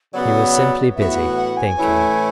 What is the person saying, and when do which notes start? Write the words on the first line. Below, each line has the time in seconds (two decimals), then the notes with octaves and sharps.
He was simply busy--thinking.
0.13 C#3 F#3 B3 F#4 D5
0.95 A2 E3 B3 F#4 E5
1.15 F#5
1.36 F#5
1.57 G#5
1.77 A2 E3 A3 C#4 E4